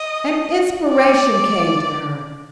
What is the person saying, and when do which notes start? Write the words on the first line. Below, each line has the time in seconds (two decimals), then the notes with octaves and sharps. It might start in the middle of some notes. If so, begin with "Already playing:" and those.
An inspiration came to her.
Already playing: D#5
0.91 D5